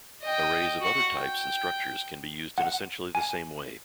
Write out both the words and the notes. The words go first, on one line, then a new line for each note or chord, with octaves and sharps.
Arrays of other types and structures can be used in essentially the same way.
D#5 G5
F#4 F#5
G5
F#5
G#5